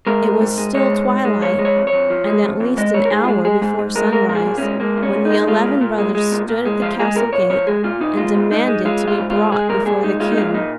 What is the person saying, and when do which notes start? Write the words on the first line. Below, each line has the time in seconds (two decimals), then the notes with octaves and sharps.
It was still twilight and at least an hour before sunrise when the eleven brothers stood at the castle gate and demanded to be brought before the King.
0.07 G#3 A#4
0.24 G#2
0.41 G#2
0.58 G#3
0.74 G#3 C#5
0.92 G#2
1.09 G#2
1.25 G#3
1.42 F3 C#5
1.59 G#3
1.65 C#5
1.76 F2
1.87 C#5
1.92 F2
2.10 F3
2.27 G#3
2.43 F2
2.60 F2
2.77 G#3 D#5
2.94 G#2 C#5
3.05 A#4
3.11 G#2 G#4
3.23 F4
3.28 G#3 G#4
3.45 G#3 G#4
3.61 G#2 G#4
3.79 G#2
3.95 G#3 A#4
4.12 G#3 A#4
4.29 A#2 A#4
4.35 G#4
4.46 A#2
4.58 G#3 C#4
4.80 G#3 A#3
4.97 A#2
5.03 C#4
5.13 A#2
5.25 D#4
5.31 G#3
5.47 G#3 F4
5.65 A#2
5.81 A#2
5.98 G#3
6.15 G#3
6.32 A#2
6.49 A#2
6.65 G#3
6.82 F3 F4
6.99 G#3 G#4
7.16 A#2 A#4
7.33 A#2 C#5
7.50 F3 C#5
7.67 G#3 G#4
7.84 A#2 F4
8.00 A#2 D#4
8.17 G#3 F4
8.35 G#2
8.51 G#2 D#4
8.68 G#3
8.85 G#3 F4
9.02 G#2
9.08 F4
9.19 G#2
9.30 F4
9.36 G#3
9.52 G#3 G#4
9.69 A#2 A#4
9.86 A#2 G#4
10.03 G#3 D#4
10.20 G#3 F4
10.32 D#4
10.38 A#2 F4
10.54 A#2 D#4